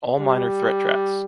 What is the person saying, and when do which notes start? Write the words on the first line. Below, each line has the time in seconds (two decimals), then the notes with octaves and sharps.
All Minor Threat tracks.
0.20 G3